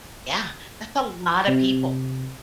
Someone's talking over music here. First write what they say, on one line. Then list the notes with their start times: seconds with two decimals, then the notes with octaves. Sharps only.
Yeah, that's a lot of people.
1.48 C3